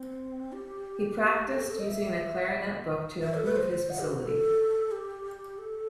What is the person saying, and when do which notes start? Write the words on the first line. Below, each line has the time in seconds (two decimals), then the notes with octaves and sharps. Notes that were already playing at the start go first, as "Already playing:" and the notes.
He practiced using a clarinet book to improve his facility.
Already playing: C4
0.52 G4
1.54 A4
1.63 G4
1.70 A4
1.79 D#5
1.88 E5
3.23 E5
3.34 A4
3.45 B4
3.56 C5
3.90 F#5
3.99 G4
4.07 F#4
4.23 A4
4.91 G4
5.58 A4